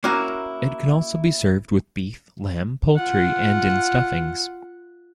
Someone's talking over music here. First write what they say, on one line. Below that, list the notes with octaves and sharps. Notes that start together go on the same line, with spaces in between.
It can also be served with beef, lamb, poultry and in stuffings.
A#3 C#4 E4 F#4 A#4
F4 F#5